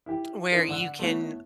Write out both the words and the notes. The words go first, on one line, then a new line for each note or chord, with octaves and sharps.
where you can
E4 G4
C4 D4 E4 G#4 A#4
D3 D4 F#5 E6
A3 B3 C#4 E4